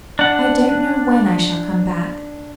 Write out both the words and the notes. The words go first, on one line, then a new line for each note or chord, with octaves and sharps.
"I don't know when I shall come back."
D4 F#5